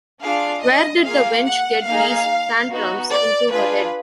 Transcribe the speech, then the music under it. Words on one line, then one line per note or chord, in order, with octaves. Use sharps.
Where did the wench get these tantrums into her head?
D4 F4 G#4 F5
D#5
A#3 F4 G#4 F5
F#5
A#3 D#4 G#4 F5
B3 D#4 F#4
D5
D4 F4 G#4 B4